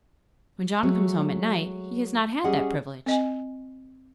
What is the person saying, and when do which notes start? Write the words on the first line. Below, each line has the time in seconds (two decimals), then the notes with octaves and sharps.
When John comes home at night, he has not had that privilege.
0.83 F#3 G#3 A3
2.44 G3 C#4 G#4 D#5 F#5
3.06 C4 D#5 G#5